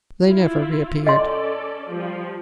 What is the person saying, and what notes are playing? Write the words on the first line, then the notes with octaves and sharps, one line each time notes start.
They never reappeared.
E4 F4
C#4 A4 D5 D#5 C6
F3 G3